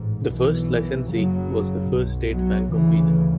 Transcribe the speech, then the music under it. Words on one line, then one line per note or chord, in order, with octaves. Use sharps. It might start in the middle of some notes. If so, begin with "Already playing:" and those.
The first licensee was the First State Bank of Vida.
Already playing: A1 G#2
B1 B2 E3
F#1 F#2 C#3 F#3
B1 B2
F#3
D2 C#3 E3